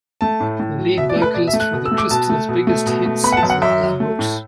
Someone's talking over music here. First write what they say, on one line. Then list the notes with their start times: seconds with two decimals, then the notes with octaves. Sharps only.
The lead vocalist for The Crystals' biggest hits is La La Brooks.
0.21 A3 A5
0.40 A2
0.59 A2
0.78 F#3
0.97 B2 E5
1.09 D5
1.16 A3
1.22 B4
1.34 B2 D5
1.47 E5
1.53 A3
1.60 F#6
1.73 B2
1.86 E6
1.91 A3
1.98 D6
2.10 B2 A5
2.30 A3
2.49 B2
2.67 A3
2.86 B2
3.06 A3
3.24 B3 B5
3.32 F#5
3.37 A5
3.43 F#2
3.50 F#5
3.62 F#2 E5
3.81 F#3
4.00 A3
4.19 A2